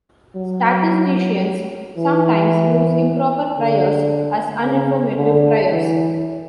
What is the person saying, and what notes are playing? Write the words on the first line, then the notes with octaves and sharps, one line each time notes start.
Statisticians sometimes use improper priors as uninformative priors.
F#3
E3
D3
C#3
D3
E3